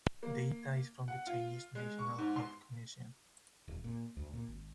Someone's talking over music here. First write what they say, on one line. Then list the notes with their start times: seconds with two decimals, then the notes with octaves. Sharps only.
Data is from the Chinese National Health Commission.
0.23 A#3
1.08 F#5
1.27 F4
1.75 G#3
1.99 C#6
2.18 G#2
2.36 C6
3.68 D#1
3.84 A#2
4.17 D2
4.33 A#2
4.48 G#1